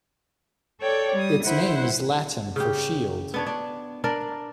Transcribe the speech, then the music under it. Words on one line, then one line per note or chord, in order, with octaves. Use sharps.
Its name is Latin for shield.
A4 C#5 D5 G5
G3 D#6
E4 C5 F#5
C#3 G4
B3 D4 C#5
D4
D4 A#4 D5